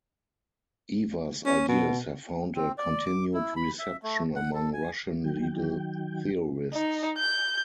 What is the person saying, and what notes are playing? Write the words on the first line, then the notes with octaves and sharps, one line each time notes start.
Evers' ideas have found a continued reception among Russian legal theorists.
C#4
B2
C4
D5
D6
E4
B5
E5
A3
F#5
A4
G#5
D#3 F#3 G5
D#4
G6